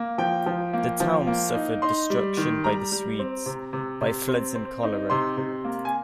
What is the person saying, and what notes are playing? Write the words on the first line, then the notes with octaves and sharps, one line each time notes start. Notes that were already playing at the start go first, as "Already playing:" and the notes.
The town suffered destruction by the Swedes, by floods and cholera.
Already playing: A#3
F3 G5
F3
A#3
F3
A#3
D#4
D#4 C6
G3
D#3
G3 A#5
G3
C4
C3
C3
C3
C4
C4
D#4
C3 C6
C3
A#3
G#5